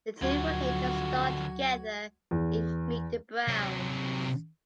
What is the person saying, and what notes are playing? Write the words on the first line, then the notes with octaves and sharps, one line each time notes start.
The two would later star together in "Meet the Browns".
D2 D3 F3 F#3 F#4 G#6
E2
C3 F#3